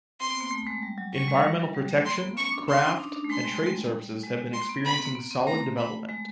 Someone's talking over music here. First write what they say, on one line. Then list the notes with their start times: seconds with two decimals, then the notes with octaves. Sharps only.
Environmental protection, craft, and trade services have been experiencing solid development.
0.20 C4 C6
0.31 B3
0.41 A#3
0.51 A3
0.67 G#3
0.83 G3
0.98 F#3
1.12 G3 C#6
1.28 G#3
1.44 G3
1.60 F#3
1.75 G3
1.91 A3
2.06 A#3 C6
2.21 B3
2.37 C#4 C#6
2.52 D4
2.68 C#4 C6
2.84 D#4
2.99 D4
3.15 D4
3.24 A3
3.30 G#3 C6
3.45 G3
4.23 G#3
4.53 A#3 C6
4.69 B3
4.85 C4 B5
4.94 B3
5.06 A#3
5.15 B3
5.31 C4
5.47 A3 A#5
5.78 B5
6.09 G#3